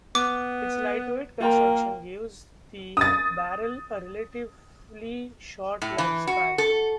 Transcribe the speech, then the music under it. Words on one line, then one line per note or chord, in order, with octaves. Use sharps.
Its lightweight construction gives the barrel a relatively short lifespan.
B3 D6
A#3 F4 A#4 G5 A#5
D#6 A6
A2
E3
F#4
A4